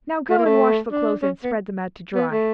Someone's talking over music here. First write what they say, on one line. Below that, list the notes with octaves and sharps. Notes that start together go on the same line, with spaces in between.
Now go and wash the clothes and spread them out to dry.'
A3
A#3
A3
D4
C#4
B3
B3
A3